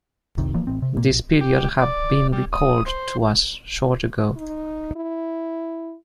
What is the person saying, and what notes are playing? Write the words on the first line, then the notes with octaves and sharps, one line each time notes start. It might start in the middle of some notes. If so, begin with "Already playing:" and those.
This period have been recalled to us short ago.
F1 C2 C3 D#3
E3 F3 A#3
A1 C4
C3
A#2 A#3
A#1
G4
D5
G3
D#6
C5
D#4
E4